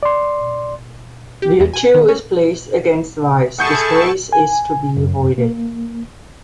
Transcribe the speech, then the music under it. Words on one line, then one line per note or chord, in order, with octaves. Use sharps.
"Virtue" is placed against "Vice", "Disgrace" is to be avoided.
D5 C6
G4
E2
G#5
D#3
C#4
E4 G#4 A4 F#5 A5 C#6 G6 C#7
G#5
F#2
A#3